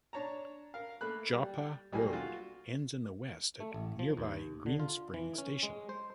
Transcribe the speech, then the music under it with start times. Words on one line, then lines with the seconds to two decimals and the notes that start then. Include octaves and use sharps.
Joppa Road ends in the west at nearby Greenspring Station.
0.13 D4 C#5 A5 A#5
0.74 A#4 F5
1.01 A3 A#3 B5 F#6
1.33 G3
1.92 B1 G3 A3 A#3 G#5
2.13 F4 F#4
3.60 A3
3.74 A1
3.99 F3
4.17 D#2
4.66 D3
4.80 F4
5.14 E3
5.38 C#4
5.63 G#3
5.89 C5